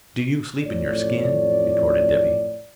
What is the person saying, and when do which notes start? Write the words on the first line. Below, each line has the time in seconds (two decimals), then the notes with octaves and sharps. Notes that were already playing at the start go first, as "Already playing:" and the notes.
"Do you sleep in your skin?" retorted Dippy.
0.63 A1 F2 A2 C#5 D5